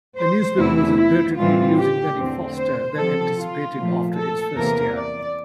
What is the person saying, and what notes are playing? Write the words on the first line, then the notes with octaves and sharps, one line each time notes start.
The newspaper was reportedly losing money faster than anticipated after its first year.
C5
E2 C3 E3 A3 E4
E4
A2 E3 G3 C4 F4
G4
E2 D3 A3 C4
C5
C3 F3 C4 A4
F4
A#2 F3 A3
A4
E2 C3 E3 A#3 A#4
D5